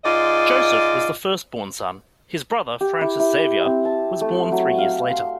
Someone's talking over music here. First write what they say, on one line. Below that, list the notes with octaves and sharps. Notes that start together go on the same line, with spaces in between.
Joseph was the first-born son, his brother Francis Xavier was born three years later.
G#2 F4 D5 D#5
G4
E4
E4
C4
A5
A3
F#3
F5
C6